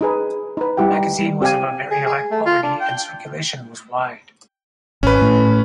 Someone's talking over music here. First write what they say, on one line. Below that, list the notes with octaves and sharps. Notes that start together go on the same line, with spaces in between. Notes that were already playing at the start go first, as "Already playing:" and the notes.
The magazine was of a very high quality and circulation was wide.
D#4 G#4 B4
D#4 B4
G3 E4 G4 F#5 G5
D#4
G3
C4 G4 D5 F5 G#5
G#4
G#4
A3
F4
D4
G5
G#1 C#4 B4
A2